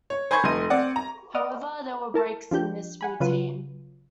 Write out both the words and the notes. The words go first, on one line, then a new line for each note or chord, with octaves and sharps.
However, there were breaks in this routine.
C#5
C5 G#5 B5 C#6 G#6
F1 A3 D#5 C6 D#7
C4 D5 F#5
A#5
D5 D#5 F#5 D6 D#6 F6
E4 A#4 A5
F3 D4 G4 G6
F#5 G#5 B5
C#3 F#3 F4 B4 D#7